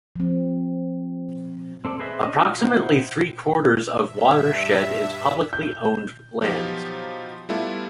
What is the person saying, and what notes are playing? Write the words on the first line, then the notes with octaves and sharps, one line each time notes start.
Approximately three-quarters of the watershed is publicly owned lands.
F3 C4
C4 A4 D5
G#4 B4 C5 D#5 E5
C#4 D4 D#5
D#4 F4 F#4
D#4 E4 C5 F#5 G5
G2 E5
G6
F3 F#3 B3 D#4 F4 G4
G3 A3 B3 E4 F4 A4